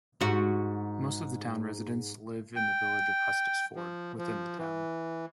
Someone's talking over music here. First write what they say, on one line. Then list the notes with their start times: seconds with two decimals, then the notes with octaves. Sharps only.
Most of the town residents live in the village of Hustisford, within the town.
0.21 G#2 F#4
2.56 G5
3.76 F3
4.18 F3
4.58 E3